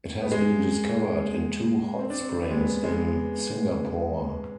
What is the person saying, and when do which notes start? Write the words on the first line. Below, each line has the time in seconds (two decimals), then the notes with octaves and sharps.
It has been discovered in two hot springs in Singapore.
0.22 B3
0.32 G#3
1.99 C4
2.10 D4
2.21 C4
2.41 B3
2.51 G#3
2.59 B3
2.75 B3
2.84 G#3